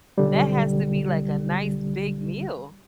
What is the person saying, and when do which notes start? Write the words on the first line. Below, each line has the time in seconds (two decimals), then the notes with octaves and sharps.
that has to be, like, a nice big meal.
0.18 B1 D3 G3